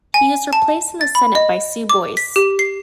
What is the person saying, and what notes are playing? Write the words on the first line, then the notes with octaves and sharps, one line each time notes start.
He was replaced in the Senate by Sue Boyce.
G#5
A5
A6
B5
D#5
D6
B6
G4
C7